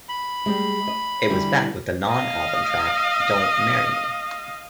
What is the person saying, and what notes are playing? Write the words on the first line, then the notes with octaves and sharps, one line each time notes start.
It was backed with the non-album track "Don't Marry Me".
B5
G3 G#3
D#5
D3 E3 G3
D#5 F5